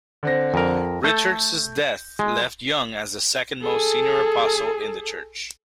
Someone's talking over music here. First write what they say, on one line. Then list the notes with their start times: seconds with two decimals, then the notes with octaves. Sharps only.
Richards's death left Young as the second-most senior apostle in the church.
0.23 D3 C4 A#6
0.54 F2 A#4
1.04 A3 A4 G6
2.19 G#3
3.62 G#4 A4